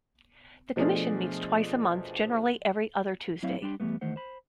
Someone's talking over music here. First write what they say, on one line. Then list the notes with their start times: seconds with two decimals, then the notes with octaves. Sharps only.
The commission meets twice a month- generally every other Tuesday.
0.76 B2 F3 A3 D4 G#4
3.43 F#3 C4 E4 C#5 E5 F5
3.62 G3 D4 G5 C6
3.80 E2 F#3 G3 A3 B3
4.01 E2 D#3 A3 C5 F#5
4.16 C5 B5